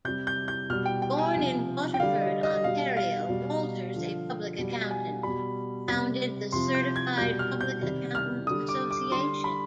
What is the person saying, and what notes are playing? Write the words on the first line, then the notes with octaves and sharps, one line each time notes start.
Born in Waterford, Ontario, Walters, a public accountant, founded the Certified Public Accountants' Association.
C3 G3 G6
G6
G6
B2 G3 F6
G5
G5
G#5
C3 F3
G5
D3 G3 F5
D#5
D#5
B2 G3 F5
F5
B2 G3
D3 F3
B2 G3
G#5
B2 G3 B5
C3 G3
C3 F3 C6
G6
G#6
B2 G3 G6
F6
G6
C3 D#3 G3
F6
D3 G3 D#6
D6
D6
D3 G3 C6
B5